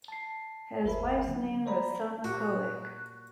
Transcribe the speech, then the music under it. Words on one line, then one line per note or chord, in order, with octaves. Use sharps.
His wife's name was Selma Kulik.
A5 C7
G1 D#2 A#4 C5 E5 B5
D3 F#3 A#3
C5 D5 A#5 B5
A#2 F#4 G4 F#5 F#6